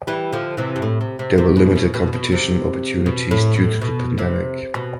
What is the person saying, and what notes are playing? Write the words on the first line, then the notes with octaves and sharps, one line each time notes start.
There were limited competition opportunities due to the pandemic.
E3 G3
D3 F3
C3 E3
G2
A2
C3
C3
C3
B2
B2
B2
B2
C3
B2
A2
A2
B2
C3
B2